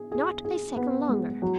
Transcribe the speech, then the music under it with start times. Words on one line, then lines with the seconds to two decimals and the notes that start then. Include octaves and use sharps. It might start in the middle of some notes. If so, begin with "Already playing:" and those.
"Not a second longer."
Already playing: G#4
0.12 G#4
0.45 G#4
0.76 B3
1.09 G#3
1.42 F#3